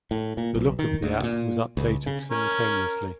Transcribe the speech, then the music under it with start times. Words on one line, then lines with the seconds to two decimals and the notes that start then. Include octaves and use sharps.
The look of the app was updated simultaneously.
0.11 A2
0.37 A#2
0.55 B1
0.79 D#3
1.03 D2
1.23 A#2
1.77 C#2
2.06 C#3
2.31 C#4 A#4